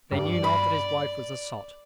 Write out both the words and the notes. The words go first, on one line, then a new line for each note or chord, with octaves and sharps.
They knew not that his wife was a sot.
G2 D5
B5